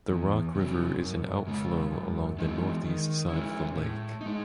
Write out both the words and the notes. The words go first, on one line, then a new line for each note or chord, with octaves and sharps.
The Rock River is an out flow along the northeast side of the lake.
E2
C3 F#3
F#2
C#3 G#3
F#2
E3 G#3 D#4
D#3
G#3 C#4 E4
A2
D#4
G#3